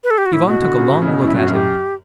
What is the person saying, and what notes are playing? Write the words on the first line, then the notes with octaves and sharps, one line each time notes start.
Ivan took a long look at him.
B4
A4
G4
F#4
A2 E4
B2 F#4
D3
C#3
A2
C#3
B2
F#2 E4
G2 F#4
F#2
G4